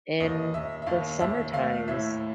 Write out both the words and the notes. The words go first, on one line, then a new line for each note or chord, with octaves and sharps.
in the summer times.
D#2 D#5
D#2 E5
E5
D#2 F5
D#2 E5
A3 F5
A2 E5